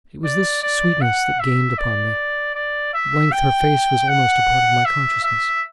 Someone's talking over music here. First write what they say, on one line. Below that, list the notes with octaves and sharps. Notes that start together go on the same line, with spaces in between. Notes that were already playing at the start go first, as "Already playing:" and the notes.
It was this sweetness that gained upon me: at length her face was almost a part of my consciousness.
D5
D5
F#5
E5
D5
D5
E5
G5
F#5
E5
E5